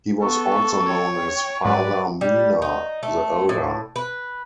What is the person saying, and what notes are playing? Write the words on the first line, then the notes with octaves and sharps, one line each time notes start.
He was also known as Father Mina the elder.
B3 A4 C#6
C#5 G5
G#2 F#3 G#3 B4 D5
G3
D#4
A3
A2
B4